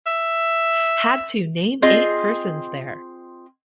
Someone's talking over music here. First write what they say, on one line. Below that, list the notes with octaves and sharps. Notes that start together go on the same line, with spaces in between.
Had to name eight persons there.
E5
C4 F4 G#4 D#5